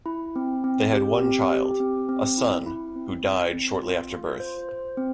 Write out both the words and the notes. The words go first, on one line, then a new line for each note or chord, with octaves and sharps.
They had one child, a son, who died shortly after birth.
E4
C4
C4
G4
C4
G4
C4
C4
E4
E4
C4
C4
C4
F4
F4
C5
C5
C4